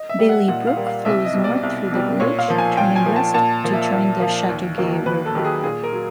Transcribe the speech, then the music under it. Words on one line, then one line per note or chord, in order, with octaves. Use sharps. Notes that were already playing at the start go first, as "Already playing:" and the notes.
Bailey Brook flows north through the village, turning west to join the Chateaugay River.
Already playing: D#5
E5
G3 A#3
F#5
A#2 F#5
F5
G3 A#3
F5
C2 E5
D#5
B2 G3
D5
C2
B2 G3
A#2 C#5
F5
F3 A#3
G#5
A#2 G5
G#5
F3 A#3
A5
A#2 A5
F3 A#3
E5
A#2
F3 A#3
D#2
D#3 F#3 A#3
D#2 B4
A4
D#3 F#3 A#3 G4
G#4
A#2 G#4
A#4
F#3